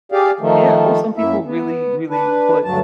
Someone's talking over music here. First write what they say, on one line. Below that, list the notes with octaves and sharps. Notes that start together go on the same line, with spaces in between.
yeah, well, some people really, really put
G4 G#4 D5 F5
D#3 F3 A3
F#2 A#3 E4 E5
B3
D4 B4
D2 G2 F#3 A5